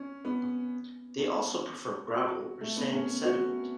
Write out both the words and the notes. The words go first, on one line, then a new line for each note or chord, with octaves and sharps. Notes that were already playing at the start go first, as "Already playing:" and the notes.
They also prefer gravel or sand sediment.
Already playing: C#4
B3
C#4
F#4
A3
B3
C#4
F#4